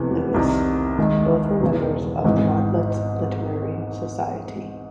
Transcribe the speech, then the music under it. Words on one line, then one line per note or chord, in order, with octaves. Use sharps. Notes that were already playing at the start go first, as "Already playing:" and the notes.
Lewis: both were members of the Martlets Literary Society.
Already playing: F1 E2 C3 E3
C2 C3 D#3
D#2 D#3 G#3
E1 E2 C#3 E3
G#1 G#2 E3